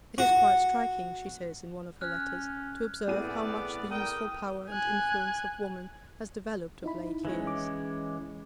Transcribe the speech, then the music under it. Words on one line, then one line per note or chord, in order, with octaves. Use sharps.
'It is quite striking,' she says in one of her letters, 'to observe how much the useful power and influence of woman has developed of late years.
F#4
C#4 F6 F#6
A2 B3 C4 G#4 D5 D#7
A#4 G5 D#6
G#5 F#6
D#4 E4 B5
E3 G#3 C#4
D6